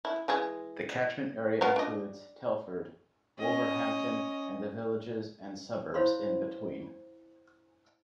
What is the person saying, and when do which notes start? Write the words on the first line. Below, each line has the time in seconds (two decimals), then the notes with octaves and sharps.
The catchment area includes Telford, Wolverhampton and the villages and suburbs in between.
0.05 E4
0.28 E3 G#3 G#4
1.61 B3 F4 A#4
1.76 D4 D#5
3.39 C#4 D#5
5.94 E4 C5 C#5 F5 B5 C6